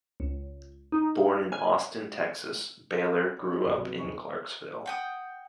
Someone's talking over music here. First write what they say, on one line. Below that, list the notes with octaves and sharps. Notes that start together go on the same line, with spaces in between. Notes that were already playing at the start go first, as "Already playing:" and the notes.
Born in Austin, Texas, Baylor grew up in Clarksville.
C#2
D#4
G#5
C#5
F#3 G3 C4 C#4 D#4 A4
C2 B2 G3
C3 F#3 B3
D#1 G2 B3 D#4 G#4 C#6
F#5 G5 D#6